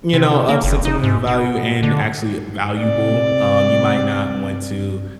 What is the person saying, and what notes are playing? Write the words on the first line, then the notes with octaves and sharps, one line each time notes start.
you know, of sentimental value and actually valuable, um, you might not want to,
C3
A#3
F#1
D#4
G#2
B2
D3
C3 D5